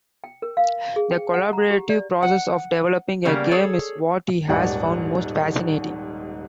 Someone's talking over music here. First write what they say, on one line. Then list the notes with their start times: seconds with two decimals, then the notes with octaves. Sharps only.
The collaborative process of developing a game is what he has found most fascinating.
0.24 G5
0.42 A#4
0.57 F5
0.96 G#4
1.11 G5
1.34 F#5
1.53 A#5
1.71 G4
1.90 D5
2.23 F#5
3.25 C#3 G3 A#3 B3
3.51 G#4 A4 C#5
4.48 D#1 D#2 G#2 D5 F#5